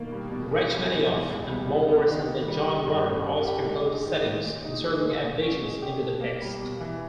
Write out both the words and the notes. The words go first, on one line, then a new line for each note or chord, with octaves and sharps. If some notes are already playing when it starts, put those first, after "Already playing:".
Rachmaninoff and, more recently, John Rutter also composed settings, inserting additions into the text.
Already playing: B2 D#3 A#3
G3
B2
E2
G3
B2
E2
C#2
G3
C#3
B3
D#3
A#3
G3
D#3
G2
C#4
G3
G4
G#2
G#3
D#3
G#2
A#2
D#4
G#3
A#2
A#2
C#4
G#3
G4
B2
A#3
G3
B2
E3